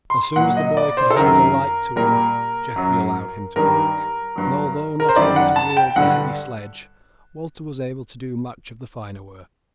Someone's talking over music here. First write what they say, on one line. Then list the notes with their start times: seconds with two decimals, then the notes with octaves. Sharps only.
As soon as the boy could handle a light tool Geoffrey allowed him to work, and although not able to wield the heavy sledge Walter was able to do much of the finer work.
0.10 C6
0.36 A#2 F#3 F#5
0.57 D#5
0.77 D5
0.97 C5
1.10 A4
1.17 F#2 D#3 F#3 A#4
1.96 A#2 G3 A#4
2.76 F#2 F#3
3.56 G2 D#3 G3 A#4
4.36 G2 F#3
5.00 A#4
5.09 C5
5.16 F#2 D#3 G3 D5
5.36 F#5
5.56 A5
5.77 G5
5.96 G2 D3 G3 F#5